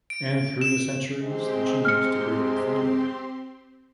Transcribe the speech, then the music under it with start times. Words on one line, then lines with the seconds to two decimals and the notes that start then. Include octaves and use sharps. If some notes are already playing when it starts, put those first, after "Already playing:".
And through the centuries, the genes degraded further.
0.10 D7
0.61 E7
1.19 C3 G#3 C4 G4 C6
1.85 F6 C#7